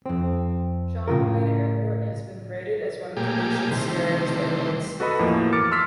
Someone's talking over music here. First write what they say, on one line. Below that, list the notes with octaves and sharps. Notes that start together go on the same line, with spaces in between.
John Wayne Airport has been rated as one of the nation's scariest airports.
F2 C4
A2 C#3 F4 A#4
A#2 G3 A3 A#3 G4 G#4
C3 D#3 E3 G3 A3 C5
F#4 A4 B4 D#5 B5
E2 A2 F3 A#3
D6 F6 A6 C#7
C6 E6 F6 B6